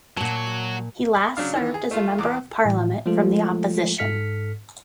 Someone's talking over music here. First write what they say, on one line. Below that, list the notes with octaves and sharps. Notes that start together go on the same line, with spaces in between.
He last served as a member of parliament from the opposition.
A#2 F#3 F#4 A5
B5
C#3 F#3 D4 F5
D#3 E3
G#4
A3 F4
E2 D6
A2 E3
F3 G#3 A3 F4 A4
G#2 A4 F6 B6 C#7